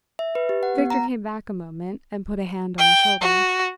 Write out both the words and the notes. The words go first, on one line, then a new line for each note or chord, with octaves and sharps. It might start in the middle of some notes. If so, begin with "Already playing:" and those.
Victor came back a moment and put a hand on his shoulder.
E5
B4
G4
F#5
B3
A#5
G5
F#4